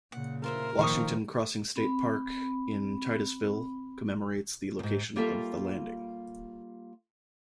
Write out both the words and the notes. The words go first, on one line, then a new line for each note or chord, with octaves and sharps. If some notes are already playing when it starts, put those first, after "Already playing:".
Washington Crossing State Park in Titusville commemorates the location of the landing.
A#2 C#3 F#5
F4 A#4 C5 E5
A#2 D#3 F3 F5 C#6 D#6
C4 B5
E2 G#2
G3 A#3 F4 G4 A4 E5